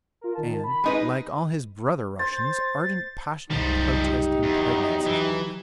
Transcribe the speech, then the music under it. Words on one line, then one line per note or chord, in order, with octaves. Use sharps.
And, like all his brother Russians, ardent, passionate protest impregnates his work.
F4 A#4
D#3 A5
B5
G#3 D#4 B4
C5 A6
F#1 C2 F3 G3 D#4
G4
E2 F#3
E3